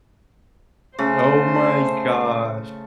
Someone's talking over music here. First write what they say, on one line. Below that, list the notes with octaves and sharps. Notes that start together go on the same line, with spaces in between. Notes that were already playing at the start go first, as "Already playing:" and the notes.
Oh my gosh.
C#3 A3 C5